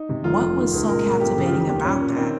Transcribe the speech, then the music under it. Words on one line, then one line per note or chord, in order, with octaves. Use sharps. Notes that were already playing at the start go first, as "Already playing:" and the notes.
What was so captivating about that?
Already playing: D#4
C3
F1 F4
F1
D#3
C#2
A#2 A#4
A#2
G1 G4
C#3
F4
F1 G4
D#2 G4
A#2 C#4
A#2
D#3 C4